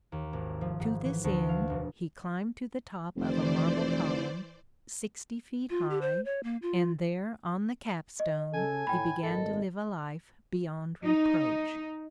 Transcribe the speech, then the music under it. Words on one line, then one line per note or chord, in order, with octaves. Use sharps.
To this end he climbed to the top of a marble column, sixty feet high, and there on the capstone he began to live a life beyond reproach.
D#2
G#1
F3
G#2
E3
D2
F5
E1
F1 E3 C5 D5
F4
G4
C5
C#5
A#3
F4
D#5
C#3 A4 G#5
A2 G5 B5
G#1 A#2 A4 D#5
D#4